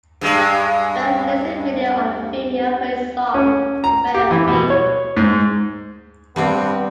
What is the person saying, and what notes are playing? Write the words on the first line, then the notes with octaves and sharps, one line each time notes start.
Bell released a video on Vimeo for his song, "Where We've Been".
G2 G#3
C#4
A#5
G4
E3
B2
C#5
G#2
G2 G3 B3 C4